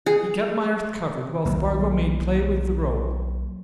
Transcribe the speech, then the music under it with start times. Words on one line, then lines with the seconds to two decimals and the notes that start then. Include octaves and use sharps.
He kept Myerst covered while Spargo made play with the rope.
0.06 G#4
1.45 B1 D#3 A#3